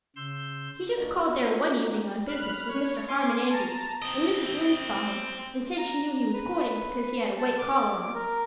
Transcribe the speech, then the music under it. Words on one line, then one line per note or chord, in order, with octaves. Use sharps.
He just called there one evening on business with Mr. Harmon Andrews and Mrs. Lynde saw him and said she knew he was courting because he had a white collar on.
C#3 C6 E6 G6
A#3 D4 D#4 F4 F#4 A#4
B5 F6 F#6
C#5
G#5 C6 D6
A5 A#5
C4 D#5
A#5
B4
A5
D6
A#4